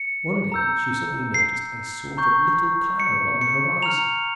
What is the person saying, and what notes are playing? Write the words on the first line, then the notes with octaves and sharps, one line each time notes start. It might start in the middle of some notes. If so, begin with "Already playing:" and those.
One day she suddenly noticed a sort of little cloud on the horizon.
Already playing: C#7
A#5 E6 G6
C7
A#5 C#6 G6
C#7
C#7
A#5 F6 F7